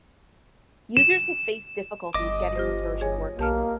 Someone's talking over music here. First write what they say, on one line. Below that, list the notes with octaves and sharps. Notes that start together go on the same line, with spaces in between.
Users have faced difficulties getting this version working.
E7
G1 D#5 D6
F4 G4 C5
G#4 C#5 G#5
B1 A#3 G4 A5 F6